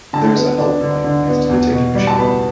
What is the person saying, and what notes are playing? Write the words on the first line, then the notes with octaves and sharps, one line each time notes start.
There is a Help Point next to the Ticket Machine.
D3 A5
B3
D4
D3
D3
B3
E2
B2
G3
A5
B3 B5